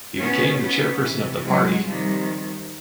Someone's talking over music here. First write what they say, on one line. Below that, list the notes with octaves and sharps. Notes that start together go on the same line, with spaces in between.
He became the chairperson of the party.
B2 B3 C#4
B3 C#4
C3 E3
F#3 G#3
C3 D#3 F3 G3